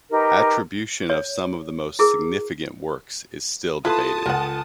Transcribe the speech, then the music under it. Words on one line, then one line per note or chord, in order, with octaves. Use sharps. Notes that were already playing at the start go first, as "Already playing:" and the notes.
Attribution of some of the most significant works is still debated.
D#4 G4 A#4 B4
C#5
E4 G#4 A#4
E4 F4 A4 B4 A5 C6 D#6
C#2 A#4 F#5